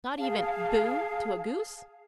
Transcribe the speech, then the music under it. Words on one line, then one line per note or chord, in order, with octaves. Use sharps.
"Not even boo' to a goose?"
G#4 F5 A5